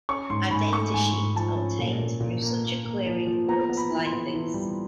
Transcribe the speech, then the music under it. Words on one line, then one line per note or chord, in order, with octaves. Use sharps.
A data sheet obtained through such a query looks like this.
C#4 C#6
G#2 C6
G#2 B5
A3 C#6
G#2 G#5
G#2
F3 A5
C#4
A#2
A#2
A#2
A#3
A#3
A#3
F3
F3
B3 A#5
B3
B5
E3
C6
B3
E3
G3